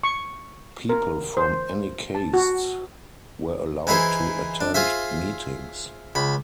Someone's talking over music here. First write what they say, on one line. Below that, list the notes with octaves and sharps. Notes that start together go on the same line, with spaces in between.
People from any caste were allowed to attend meetings.
C#6
A#4
C5
A5
F#4
E3 D#4 E4 G#4 C5
D4
F4 G#4 C5 E5
C#2 B5